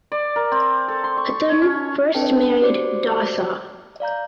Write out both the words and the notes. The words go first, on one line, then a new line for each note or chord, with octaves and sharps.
Htun first married Daw Saw.
D5
A#4
C4
A4
C6
C#6
C#5
C#4
C4 D4 A4 B4 G5 A5
F#4 G4 C5 D5 D6 C#7
D5 F5 A#5 G6